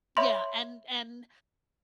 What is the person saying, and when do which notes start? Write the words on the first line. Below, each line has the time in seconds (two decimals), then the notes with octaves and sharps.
Yeah, and and,
0.17 C#5 E5 B5 C6